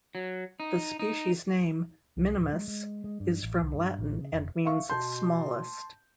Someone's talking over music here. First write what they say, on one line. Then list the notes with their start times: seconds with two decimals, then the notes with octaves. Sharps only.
The species name " minimus " is from Latin and means "smallest".
0.15 F#3
0.60 D#4
0.99 D#4
2.17 C2
2.39 D1
2.53 G#3
2.68 G#3
3.04 G#3
3.20 G2
3.43 A1
3.62 C2
3.74 G2
3.99 A1
4.21 C#3
4.33 F1
4.65 E5 F5 C#6
4.90 B2 A5 C6 G6